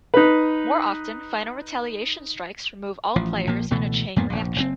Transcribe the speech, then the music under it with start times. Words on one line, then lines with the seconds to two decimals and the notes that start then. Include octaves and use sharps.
More often, final retaliation strikes remove all players in a chain reaction.
0.14 D#4 B4
3.16 A1 F3
3.47 A#1 F3 A#3
3.71 C#2 B2 E3 A3
4.16 F2 G#2 A#3 B3
4.30 F1 A#1
4.56 F#1 A#2 C4